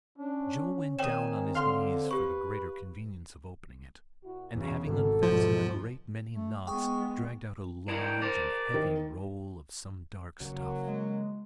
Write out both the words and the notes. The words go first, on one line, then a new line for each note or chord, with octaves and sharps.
Joe went down on his knees for the greater convenience of opening it, and having unfastened a great many knots, dragged out a large and heavy roll of some dark stuff.
C#4 D4
D#3 C4 C#5 G5 G#5 D#6 E7
D3 F5 C6 F6
G4 B4 C#6
A#2 E4 F#4
E2 C#3 F#3 B3
G#1 B2 F#4 A4
E2 G#2 B2 F3
A3
G#3 B3 G#4 G5 C#6
D4 E4 A#4
G5
A#4 C5 D5
D#3
C#3 F#3 A#3
G#3